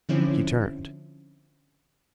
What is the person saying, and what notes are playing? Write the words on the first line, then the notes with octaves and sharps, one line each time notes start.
He turned.
D3 F3 C4 C#4 E4